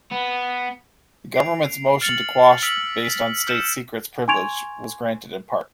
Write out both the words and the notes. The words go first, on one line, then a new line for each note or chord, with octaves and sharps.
The government's motion to quash based on state secrets privilege was granted in part.
B3
C7 D7 F7
F6 A6 C#7 F7 F#7
E6 F6 B6 D7 F7 F#7
B6
E6 F6 G6 C#7 D7 E7
G#5 C6 C#6 G#6 D7 F7